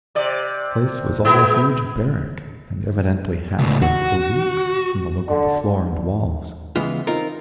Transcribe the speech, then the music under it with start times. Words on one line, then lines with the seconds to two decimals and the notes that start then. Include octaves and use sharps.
The place was all a huge barrack, and evidently had been for weeks, from the look of the floor and walls.
0.15 C3 D5
1.25 G#3 B3 E4
3.58 C#2 A2
3.82 F#4
5.28 D3
6.76 C#3 E3 G#3 B3 F4
7.07 C4 D#4 F4 A#4